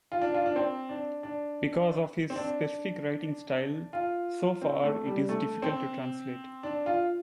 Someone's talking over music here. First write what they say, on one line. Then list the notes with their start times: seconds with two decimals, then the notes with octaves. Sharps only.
Because of his specific writing style, so far, it is difficult to translate.
0.12 F4
0.21 D4
0.34 F4
0.46 D4
0.56 C4
0.89 D4
1.23 D4
2.30 C4
2.36 D4
3.93 F4
4.62 C4
4.84 A3
5.06 G3
5.29 A3
5.62 C4
6.63 D4
6.86 F4